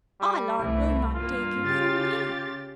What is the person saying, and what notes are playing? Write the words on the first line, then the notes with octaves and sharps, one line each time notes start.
"Our Lord will not take him from me!"
G3
C2 E3 A3 E4
G2 A#3 F4
C#3 G4 A6